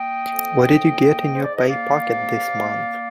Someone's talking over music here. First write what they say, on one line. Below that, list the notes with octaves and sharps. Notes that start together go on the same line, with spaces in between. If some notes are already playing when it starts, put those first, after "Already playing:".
What did you get in your pay packet this month?
Already playing: A#3 D#5 G5
F2
A#3
G#2
C5
D5
D#5
A#3 D5 F5
C3
A#3